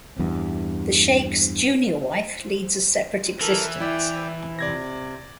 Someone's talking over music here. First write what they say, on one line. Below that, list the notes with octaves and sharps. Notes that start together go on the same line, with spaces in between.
The Sheikh's junior wife leads a separate existence.
E2 G2
E3 A4 A#4
E4 D5 E5 G5
C3 D5 G#6 A#6